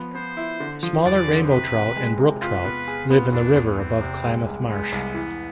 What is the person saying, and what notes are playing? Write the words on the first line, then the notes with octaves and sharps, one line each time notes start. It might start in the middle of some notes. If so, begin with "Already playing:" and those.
Smaller rainbow trout and brook trout live in the river above Klamath Marsh.
Already playing: F3 B3
B3 C5
E4
D3
F3
E2 D5
D3
C3 B4
C3
G#3
C3
F4 B4
B3
G#4
B3
E2 D4
E2
E2 C4
C3
G#3
C2
G#3 B3
C2
E3